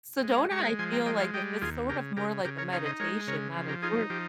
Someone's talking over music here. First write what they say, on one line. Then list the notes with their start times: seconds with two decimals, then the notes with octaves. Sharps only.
Sedona, I feel like if it's sort of more like a meditation, not a tour
0.23 G#3
0.51 G#3 A#5 C#6
0.79 F3 G#5 C6
0.92 G5 A#5
1.06 G#3 D#5 G5
1.20 C#5 F5
1.34 G3 D#5 G5
1.61 D#2 F4 G#4
1.89 C#3 G4 A#4
2.17 C#3 G4 A#4
2.44 C#3 G4 A#4
2.58 A#4 C#5
2.72 D#4 C#5 F5
2.86 C5 D#5
3.00 G#3 A#4 C#5
3.27 C#3 A#4 C#5
3.56 F3
3.69 G4 A#4
3.82 D#4 F4 G#4
4.10 F3 G4